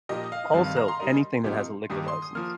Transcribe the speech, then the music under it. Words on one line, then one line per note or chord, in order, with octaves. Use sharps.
Also, anything that has a liquor license.
A#2 F3 D#4 G4 A#4 D#5
F5
G2 D#3 G3 C4 F5
F5
A#5
C6
G3 D#4 A#4 D#5
C3 F3 A#3 D#4 G4
G2 D#3 A#3 G4 D#6
C6
D#6
F3 A#3 F6